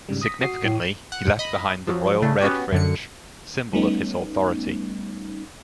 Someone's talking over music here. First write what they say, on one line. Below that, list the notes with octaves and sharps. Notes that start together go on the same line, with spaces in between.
Significantly, he left behind the royal red fringe, symbol of his authority.
G#2 C#3 G3
D#6 A#6 B6
F#4 D#6 C7
A2
F#5
D#5 B5
F3 F#3
C#3 A3 D4
B3 C#4 F#4 G4
F#2 D3 C#7
G3 A3 B3 C#4 D#4